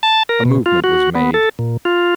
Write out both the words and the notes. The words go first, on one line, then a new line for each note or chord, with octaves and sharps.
A movement was made.
A5
A#4
B2
F4
F#4
B3
A4
A#2
F4